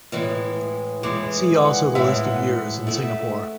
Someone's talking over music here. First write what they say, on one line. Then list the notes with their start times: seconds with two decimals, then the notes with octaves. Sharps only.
See also the list of years in Singapore.
0.12 A2 E3 G#3
1.03 A2 E3 G#3 D6
1.65 F#5
1.95 A2 E3 G#3 E5
2.25 F#5
2.87 A3 E4 A4 E5